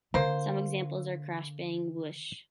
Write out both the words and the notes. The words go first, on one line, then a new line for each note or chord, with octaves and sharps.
Some examples are crash, bang, whoosh.
D3 A#3 C5